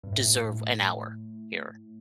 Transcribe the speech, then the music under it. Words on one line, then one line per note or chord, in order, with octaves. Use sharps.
deserve an hour, here
G2
A2